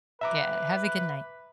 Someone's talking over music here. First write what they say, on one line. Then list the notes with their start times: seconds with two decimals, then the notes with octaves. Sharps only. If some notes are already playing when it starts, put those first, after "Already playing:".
Yeah, have a good night.
0.21 B4 E5 A#5 D6